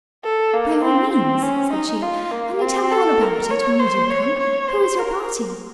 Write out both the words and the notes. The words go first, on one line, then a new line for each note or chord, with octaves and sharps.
"By all means," said she; "only tell me all about it, when you do come. Who is your party?"
A4
A#3
C4
C4
C#4
D#4
F4
A#3
C4
A4
A#4
C#5
C5
C#5
C#5
C5
A#4